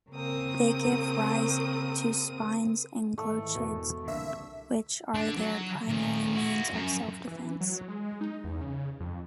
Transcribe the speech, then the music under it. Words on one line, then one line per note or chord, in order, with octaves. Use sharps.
They give rise to spines and glochids, which are their primary means of self-defense.
C#3 A#3 C4 A#4 D#6
G#2 D#3 E3 A3
E2 B2
C2 D3 A#3 E5
D3 D4
F#3
A#2 D#3
E4 F#4
F#2
E3
F#3
G#3
D#4
E2
C#3
F2